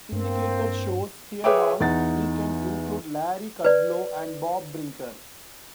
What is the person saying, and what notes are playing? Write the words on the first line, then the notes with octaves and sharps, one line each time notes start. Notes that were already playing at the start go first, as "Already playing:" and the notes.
Syndicated shows heard on weekends include Larry Kudlow and Bob Brinker.
G2 A#3 C4
G#4 B4 C#5 E5 G5 D6
E2 D#4 F#5 A6
B4 D5